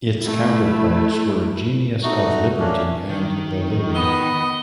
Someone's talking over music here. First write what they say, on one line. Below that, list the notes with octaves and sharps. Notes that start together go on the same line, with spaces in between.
Its counterparts were "Genius of Liberty" and the "Lily".
A3 E4
A3 D#4 F#4
A3 A#3 C#4 D4
D#3
B3 D#5